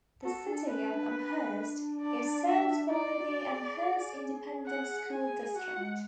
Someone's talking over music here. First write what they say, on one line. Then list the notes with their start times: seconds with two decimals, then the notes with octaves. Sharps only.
The City of Amherst is served by the Amherst Independent School District.
0.24 F#4 A4
0.47 D4
0.68 C#4 B4
0.91 D4
2.01 D5
2.45 E5
2.89 E4 D5
3.19 F#4
3.50 G#4
4.67 F#5
5.11 G#5
5.56 F#4 F#5
5.77 G#3